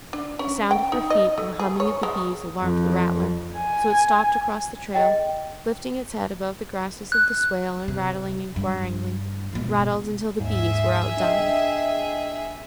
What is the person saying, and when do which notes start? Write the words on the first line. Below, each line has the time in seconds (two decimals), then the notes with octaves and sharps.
The sound of her feet and the humming of the bees alarmed the rattler, so it stopped across the trail, lifting its head above the grasses of the swale and rattling inquiringly--rattled until the bees were outdone.
0.13 D4
0.39 C#4
0.71 G5
0.92 D#4
1.10 D#5
1.38 A3
1.59 G#4
1.80 C#5
2.03 G#3
2.61 F2
3.57 G#5
4.94 G#4 D#5 G5
7.12 F#6
7.88 C3
8.56 G2
9.53 C#2 B2
10.40 D#2 G#2 G#4 E5
11.17 D4 D#5 G5